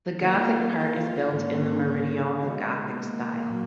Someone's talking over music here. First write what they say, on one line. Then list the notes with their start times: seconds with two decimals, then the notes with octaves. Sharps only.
The Gothic part is built in the Meridional Gothic style.
0.22 D#3 A#3 D#4 F4
0.77 F4
1.31 G#2 D#3 A#3 C#4
2.40 D#3 G#3 B3 D#4 F#4
2.95 A#3
3.50 A#2 F#3